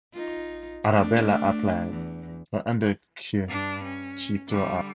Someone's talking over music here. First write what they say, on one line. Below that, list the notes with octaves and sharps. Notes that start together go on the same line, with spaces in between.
Arabella applied her handkerchief to her eyes.
D#4 F4
A3 D4
E2
G2 D4
C#4
D3 G3